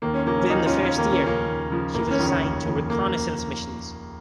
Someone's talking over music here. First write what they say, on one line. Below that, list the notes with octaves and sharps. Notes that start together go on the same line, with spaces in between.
Within the first year, she was assigned to reconnaissance missions.
D#2 A#3
C#4
C#3 F3 A#3
C#4
D#2 A#3 D#4
C#4 F4
C#3 F3
C#4
D#2 A#3
C#4
C#3 F3 A#3
D#2
C#3 F3
F1 A#3
C#4
D#2 C#3 F3
C#4
F1
D#2 C#3 F3
A#3